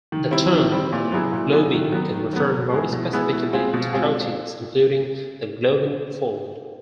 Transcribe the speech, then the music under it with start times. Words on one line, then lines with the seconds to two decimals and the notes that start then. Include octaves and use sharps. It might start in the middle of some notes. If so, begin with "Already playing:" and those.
The term globin can refer more specifically to proteins including the globin fold.
0.12 D#3
0.31 G3 C4 E4
0.52 D#3
0.72 G3 C4 E4
0.92 A#2
1.12 F#3 B3 E4 G#4
1.32 A#2
1.52 F#3 B3 E4 G#4
1.72 D#3
1.92 F#3 B3
2.12 D#3
2.33 F#3 B3
2.52 B2
2.72 G#3 B3 E4 G#4
2.93 B2
3.12 G#3 B3 E4 G#4
3.33 B2
3.53 G#3 C4 F4 G#4
3.74 B2
3.93 G#3 C4 F4 G#4